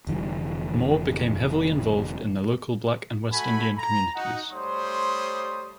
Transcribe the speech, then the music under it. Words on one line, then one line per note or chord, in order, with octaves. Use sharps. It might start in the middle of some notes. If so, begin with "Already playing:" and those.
Moore became heavily involved in the local Black and West Indian communities.
F1 D3 E3 G3
A3 F#4 A4 G#5 B5
A#5
D#4 F#4 F#5
G3 A3 C5 C#5 C6 D#6